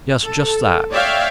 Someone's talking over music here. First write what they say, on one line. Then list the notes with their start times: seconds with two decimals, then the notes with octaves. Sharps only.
Yes, just that.
0.24 A4
0.92 C#5 D5 E5 F5 G5